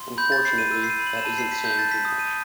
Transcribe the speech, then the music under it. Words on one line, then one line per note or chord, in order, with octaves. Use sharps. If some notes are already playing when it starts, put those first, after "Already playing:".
Unfortunately, that isn't saying too much.
Already playing: C6
B5 G6
A6
B5 C7
D#7
E6 D#7
C7
D#7
B5
F#7
E7
A5 D#7
C7
A5 B6
G6
A5 A6
B6
D#6
D#7